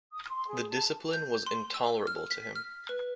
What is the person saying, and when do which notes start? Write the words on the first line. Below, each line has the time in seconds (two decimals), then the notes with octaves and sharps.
The discipline was intolerable to him.
0.13 D#6
0.30 C6
0.48 G#4
0.69 A5
1.13 G6
1.46 C6
1.74 E6
2.07 F6
2.31 B6
2.55 F6
2.89 B4